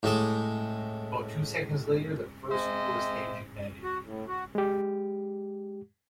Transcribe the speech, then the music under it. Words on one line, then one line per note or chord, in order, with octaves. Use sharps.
About two seconds later, the first core stage ignited.
A2 G#3 A4 D6
G#3 C4 C5 D#5 E5
F#4
A2
F#4
G#3 G4